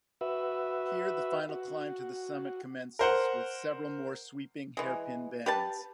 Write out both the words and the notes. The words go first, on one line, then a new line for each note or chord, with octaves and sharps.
Here the final climb to the summit commences, with several more sweeping hairpin bends.
F#4 B4 E5
F#4
A#4 C5 F#5
E3 G#3
G4 B4 A5